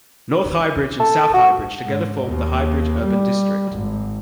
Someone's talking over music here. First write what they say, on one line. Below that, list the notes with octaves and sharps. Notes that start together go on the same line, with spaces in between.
North Highbridge and South Highbridge together formed the Highbrige Urban District.
A4
F#4
G#2
D#2
G3
G#1